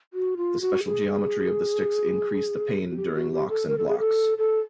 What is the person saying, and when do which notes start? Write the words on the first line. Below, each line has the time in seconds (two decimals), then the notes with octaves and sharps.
The special geometry of the sticks increase the pain during locks and blocks.
0.13 F#4
0.37 F4
0.61 F#4
0.85 G#4
2.90 F#4
2.97 G4
3.14 F#4
3.32 G4
3.49 A4
3.67 A#4
3.78 A4
3.88 G#4
3.99 A4
4.38 A4